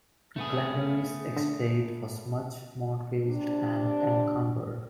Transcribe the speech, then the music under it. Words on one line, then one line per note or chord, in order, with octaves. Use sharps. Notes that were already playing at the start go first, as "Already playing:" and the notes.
Glengarry's estate was much mortgaged and encumbered.
A3 B3 G#4
D3
C3 D4